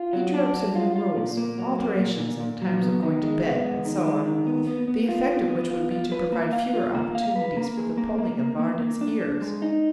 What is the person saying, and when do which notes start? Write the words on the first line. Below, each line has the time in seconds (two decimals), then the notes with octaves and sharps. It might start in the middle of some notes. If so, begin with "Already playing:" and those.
He drew up some new rules--alterations in the times of going to bed, and so on--the effect of which would be to provide fewer opportunities for the pulling of Varden's ears.
Already playing: F4
0.13 F#3
0.34 D4
0.55 F#3
0.75 F4
0.96 F4
1.17 A#2
1.37 A#3
1.58 F#3
1.79 A#3
2.00 A#2
2.20 A#2
2.40 A#2
2.62 F#3
2.82 B3
3.03 D#3
3.23 G#3
3.43 B3
3.64 G#3
3.85 D#3
4.06 G#3
4.26 D#3
4.47 B3
4.67 B3
4.88 B3
5.09 F4
5.29 B3
5.50 B3
5.70 F4
5.91 F4
6.12 B4
6.32 A#3
6.53 F5
6.73 F4
6.94 A#3
7.15 F5
7.35 B4
7.57 A#3
7.77 G#4
7.98 A#3
8.18 A#3
8.39 A#3
8.59 A#3
8.80 A#3
9.01 D4
9.22 D4
9.42 G#3
9.62 D#4